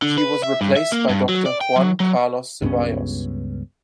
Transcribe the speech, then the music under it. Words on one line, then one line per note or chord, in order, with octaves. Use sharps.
She was replaced by Doctor Juan Carlos Zevallos.
D3
B4
E5
G2
E5
A#3
G2
F#3
D5
G5
F#3
F#3
C#2 G2 B3 C#4